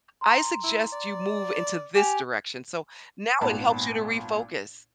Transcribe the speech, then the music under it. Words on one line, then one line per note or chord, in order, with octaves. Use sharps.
I suggest you move into this direction." So now it helps you to refocus.
A#5 C6
E4
D5
G4 G5 G#5 F7
G#1 A#2 B3 A5 B5